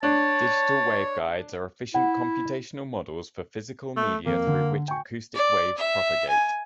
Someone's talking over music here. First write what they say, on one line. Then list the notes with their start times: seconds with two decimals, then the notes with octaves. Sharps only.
Digital waveguides are efficient computational models for physical media through which acoustic waves propagate.
0.03 D4 C#5 A5
1.94 E4 F#5
3.97 A3
4.26 F2 A#3
4.47 D3
4.88 G5 G#5 C#6
5.35 D5
5.77 E5
6.28 G#5